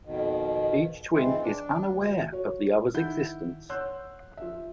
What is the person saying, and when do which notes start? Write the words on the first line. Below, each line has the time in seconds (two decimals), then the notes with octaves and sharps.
Each twin is unaware of the other's existence.
0.05 F2 B2 D#3
1.12 G#2 E3 C4 F4
1.42 D4
1.85 D2
2.32 F#4 C#5
2.94 D#3 E4 F#5 G6
3.69 C#5 F#5 C6 E6 F#6 G6
4.37 F3 E5